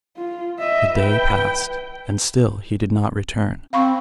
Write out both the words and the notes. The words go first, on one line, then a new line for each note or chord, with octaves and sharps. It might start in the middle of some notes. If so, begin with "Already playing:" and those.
The day passed, and still he did not return.
F4
D#5 E5
B4 G5
C4 F5 B5 C#6